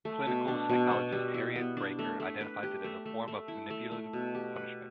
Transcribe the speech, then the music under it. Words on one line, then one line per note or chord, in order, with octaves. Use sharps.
Clinical psychologist Harriet Braiker identifies it as a form of manipulative punishment.
A3
B2
D4
B2
B3
G3
E4
B3
D4
A3
A3
B4
G4
A3
A3
A3
E4
A3
A3
B2
G4
B4